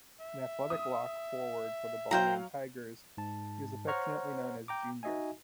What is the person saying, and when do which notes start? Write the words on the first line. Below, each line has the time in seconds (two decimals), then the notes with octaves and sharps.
An athletic lock forward for the Balmain Tigers, he was affectionately known as 'Junior'.
0.20 E5
0.70 D#6
2.11 F#3 C5 F5 G5 A#5
3.18 G#2 A5
3.87 C5 C#5 F#5 A#5 C#6 F6
4.68 G5 A#5 D6
5.03 D#4 F#4 D#5 E5 G#5